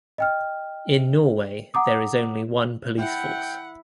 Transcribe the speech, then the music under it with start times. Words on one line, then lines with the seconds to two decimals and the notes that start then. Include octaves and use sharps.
In Norway there is only one police force.
0.18 D#5 G5 F6
1.74 F#5 A#5 D6 D#6
2.99 E4 F#5 G5